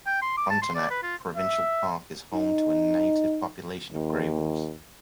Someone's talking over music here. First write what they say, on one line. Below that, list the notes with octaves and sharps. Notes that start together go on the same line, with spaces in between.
Frontenac Provincial Park is home to a native population of grey wolves.
G5
C6
D6
A5
C6
D5
B4
F4
E5
D#4
D#2